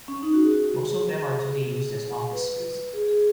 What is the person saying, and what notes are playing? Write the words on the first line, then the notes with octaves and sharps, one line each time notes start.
Most of them are today used as office space.
C#4
D#4
F#4
G#4
F#4
F#4
G#4
F#4
G#4
G#4
B4
G#4
G#4